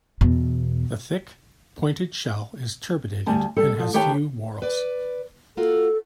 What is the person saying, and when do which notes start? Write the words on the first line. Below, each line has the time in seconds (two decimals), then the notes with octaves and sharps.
The thick, pointed shell is turbinated and has few whorls.
0.21 E2 B2
3.26 D2 G3 G#5 A5
3.57 G3 A4
3.80 F3
3.94 D#3 G4 B4 C#5 G5 A5
4.62 B4 D5
5.57 A#3 F4 F#4 A4